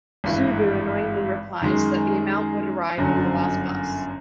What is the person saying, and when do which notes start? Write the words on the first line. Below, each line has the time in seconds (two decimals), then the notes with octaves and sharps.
Subbu annoyingly replies that the amount would arrive on the last bus.
0.24 G#1 G2 E3
1.61 F#2 D#3 G#3
2.97 G1 F#2 D3 F#3